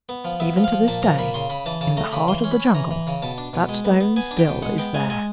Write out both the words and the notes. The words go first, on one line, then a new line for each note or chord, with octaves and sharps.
And even to this day, in the heart of the Jungle, that stone still is there.
B3
F3
B3 E5
F3
F5
F3
A#2 A5
F3 A#5
A#2 B5
C#3 C6
C#3 B5
E3 A5
C#3 A5
A3 A#5
C#3 B5
E3 C6
C#4
B5
C#4
E3 A#5
E3
C#3
B2 A5
D4
B2
G#3
B3
B3
B3 G#5
D4
G5
B2
G#3 F#5
B3 G5
G#3 G#5
G#3 G#5